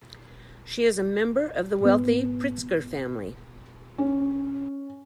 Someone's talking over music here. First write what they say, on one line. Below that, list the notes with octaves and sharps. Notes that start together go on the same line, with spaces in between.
She is a member of the wealthy Pritzker family.
G#2 B3
C#4